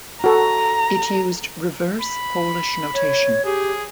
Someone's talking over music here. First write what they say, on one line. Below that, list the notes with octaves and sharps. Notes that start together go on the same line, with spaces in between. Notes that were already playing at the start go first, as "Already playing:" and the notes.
It used Reverse Polish Notation.
F#4 A4 A#5
B5
C#5
G4 G#4